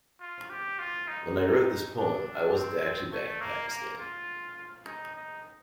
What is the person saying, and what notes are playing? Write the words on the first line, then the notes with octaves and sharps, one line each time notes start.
When I wrote this poem I wasn't actually back in Pakistan.
F4
G4
F4
D#4
D#4
D4
C4
A3
A#3
A#3
F4
D#4
D#4